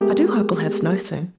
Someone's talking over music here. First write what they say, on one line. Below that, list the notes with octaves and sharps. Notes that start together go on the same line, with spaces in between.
I do hope we'll have snow soon.
G#3 A3 B3 G4 G#4 A#4